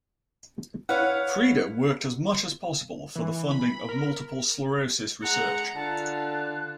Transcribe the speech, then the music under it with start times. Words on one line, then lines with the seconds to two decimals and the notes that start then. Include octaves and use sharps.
Frieda worked as much as possible for the funding of multiple sclerosis research.
0.89 E4 B4 C#5 F5 F#5
3.16 E3
3.51 B5
3.89 A#4
5.22 G#3 F#5 A#5 F#6 C#7
5.75 D3 F4 A5